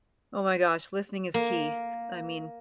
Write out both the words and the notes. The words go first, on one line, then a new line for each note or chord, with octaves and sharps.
Oh my gosh, listening is key. I mean,
A#3